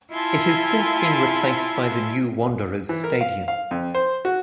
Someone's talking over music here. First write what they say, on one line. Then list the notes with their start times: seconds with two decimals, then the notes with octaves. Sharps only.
It has since been replaced by the New Wanderers Stadium.
0.11 E4 F4 E5 G#5 A5 C6
2.89 E3
3.04 A#4
3.21 F5
3.48 F5
3.71 F2
3.95 C5
4.25 F#4